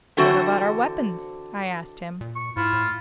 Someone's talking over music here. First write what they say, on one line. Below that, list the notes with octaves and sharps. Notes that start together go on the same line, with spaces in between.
"What about our weapons?" I asked him.
D3 E3 C4 F#4 C5
A#2
C#6
G#2 E4 F4
A2